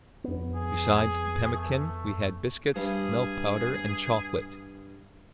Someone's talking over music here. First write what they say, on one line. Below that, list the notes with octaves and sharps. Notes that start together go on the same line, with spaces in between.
Besides the pemmican, we had biscuits, milk-powder, and chocolate.
F2 B3
G#4
A3
G2 G#4